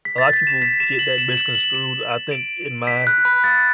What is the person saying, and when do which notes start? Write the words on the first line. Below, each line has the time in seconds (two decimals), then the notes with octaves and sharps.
a lot of people get that misconstrued, I think in my
0.05 B6
0.18 A6
0.33 B6
0.47 E7
0.62 B6
0.80 E7
0.99 F#7
1.18 E7
1.32 F#7
1.37 E7
1.55 F#7
1.75 E7
2.31 D7
2.87 B6
3.07 F#6
3.25 B5
3.44 A6